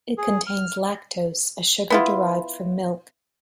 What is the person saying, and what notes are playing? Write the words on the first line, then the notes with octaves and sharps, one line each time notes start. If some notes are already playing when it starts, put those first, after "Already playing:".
It contains lactose, a sugar derived from milk.
G#4
F6
B3 E4 F4